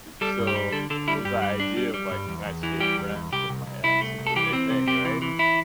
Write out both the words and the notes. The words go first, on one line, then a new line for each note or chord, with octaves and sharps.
so, there's the idea of, like, can I stay friends with my ex is the big thing, right?
G3 A4
G2
G4
G3
D3 A4
D3 A4
G3 E4
G2 G4
G3
D4
G3
G3
G2
E2
E2
E3
G3 G4
E2
E2
C2 G4
C2
C2
C2 E4
A3
C2
A4
E3 G4
C4
C3
C3 G4
E3
E3
E4